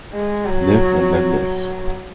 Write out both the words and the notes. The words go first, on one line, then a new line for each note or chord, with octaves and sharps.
Live and let live.
G#3
F#3